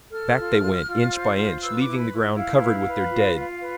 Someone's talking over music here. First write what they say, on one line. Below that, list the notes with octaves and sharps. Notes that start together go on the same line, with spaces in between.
Back they went, inch by inch, leaving the ground covered with their dead.
A4 F6
F4
F4
F4
C5
F4
B4 E6
D6
E4
B5
E4
E4 F5
B4
B4
F4
F4
B4